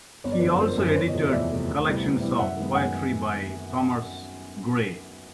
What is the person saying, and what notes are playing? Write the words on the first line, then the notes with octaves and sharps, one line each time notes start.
He also edited collections of poetry by Thomas Gray.
G1 C#5
D5
B4 C#5
F#2 D3 F3
G1 A#4 C5
F#2 D3 F3
C5
E2 B4 C#5
C#5 D#5
C3 F3 A3
E2 D5 E5
C3 F3 A3
D2
C3 E3 G3 B3
D2
C3 E3 G3 B3
F#2 E5 F#5
D#3 G#3 B3
F#2 F#5 G#5